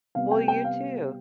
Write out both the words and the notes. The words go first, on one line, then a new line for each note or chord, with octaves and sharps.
Well, you too.
C3 G3 B3 F5
G5
G5
F5